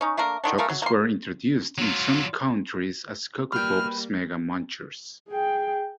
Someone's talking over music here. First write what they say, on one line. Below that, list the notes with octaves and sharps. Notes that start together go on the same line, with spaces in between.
Chocos were introduced in some countries as Coco Pops Mega Munchers.
C#4 D#4
A3 A#3 D4 A#4
D3 D#3 D4
G#3 A3 A#4 F5
F#3
A#3 C6
F#3 F4
G3 A#3 B4 G5 F6
G#4 G5